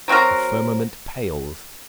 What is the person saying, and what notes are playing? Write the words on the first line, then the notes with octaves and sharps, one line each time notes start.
The firmament pales.
F#3 C4 F#4 A#4